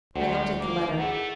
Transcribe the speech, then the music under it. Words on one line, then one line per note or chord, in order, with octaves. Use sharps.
I looked at the letter.
D2 F#3 C5 F#5
A#3 D6
A3 E4 G#4 F#5